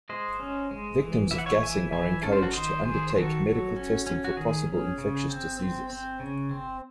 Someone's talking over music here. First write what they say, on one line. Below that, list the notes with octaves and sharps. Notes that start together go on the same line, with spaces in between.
Victims of gassing are encouraged to undertake medical testing for possible infectious diseases.
G#3 C5 D#5
C#4
G#3
E3
E3 E5
F#5
C#5 E5
E3 E5 G#5
E3 E5 G#5
C#4 A4
C5
F#4 A4
D#3 C5 D#5
D#3 G#4 C5
C5
D#3 F#4 A4
F#3
C#4
C#4
F#4
D#3 G#4
C#4
C#3
C4
C4
C4
C#3
C4